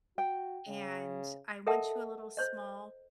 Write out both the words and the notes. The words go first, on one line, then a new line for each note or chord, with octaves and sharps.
and I went to a little small
F#4 G5
C#3
A4 A#4 D#5 E5 F#5 A5
C5 C#5 D#5